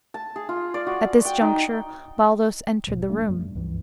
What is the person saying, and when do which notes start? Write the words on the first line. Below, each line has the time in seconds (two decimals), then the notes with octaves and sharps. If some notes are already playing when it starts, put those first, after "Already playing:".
At this juncture Baldos entered the room.
0.14 A5
0.36 G#4
0.49 F4
0.74 D5
0.87 F#4
1.25 G5
1.41 D#4
2.87 G#1 E2 B2 G3
3.09 F#3 A3 A#3 D4
3.27 F#2 G3
3.55 C#2 G2 E3 F3